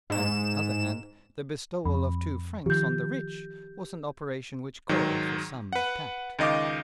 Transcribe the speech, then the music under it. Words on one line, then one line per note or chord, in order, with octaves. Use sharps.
On the other hand, the bestowal of two francs on the rich was an operation which called for some tact.
G#2 E7
F2 B5
D#3 F3 G4 G6
G#2 D#3 F#3
B4 F#5
C#2 D#3 D#5 F5 D6